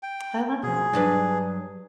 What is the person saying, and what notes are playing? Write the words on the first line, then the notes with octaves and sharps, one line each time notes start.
Oh, that's
G5
B2 F3 G#4
G2 F#3 D4 B4